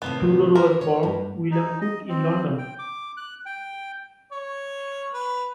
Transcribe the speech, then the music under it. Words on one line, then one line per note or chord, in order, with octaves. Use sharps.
Tudor was born William Cook in London.
A2 C3 D#3 B3
E3 F#4 A#4
C#5
G2
D#4
D#5
C4
G5
D6
F#6
G5
C#5
B4